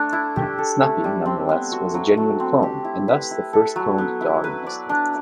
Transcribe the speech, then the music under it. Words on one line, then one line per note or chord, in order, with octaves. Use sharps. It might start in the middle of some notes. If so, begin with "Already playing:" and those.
Snuppy, nonetheless, was a genuine clone, and thus the first cloned dog in history.
Already playing: A3 D4
E4
G4
A4
A3
G3
C4
B3
F#4
F#3
A3
C4
G4
E4
B4
E4
A4
F#3
B3
E4
B4
D5
D4